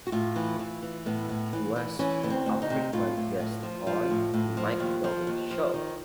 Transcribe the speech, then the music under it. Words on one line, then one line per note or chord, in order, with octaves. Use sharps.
He was a frequent guest on "The Mike Douglas Show".
F#4
A2 F4
E3
E3
E3
A2 B3
A2
E3
E3
E3 C#4
D2 B3
C4
D2
D#4
C3
A2 F4
A2
A2
F3
F3 F4
A2
A2
F3
D#2
F3
D#2
F3
D#3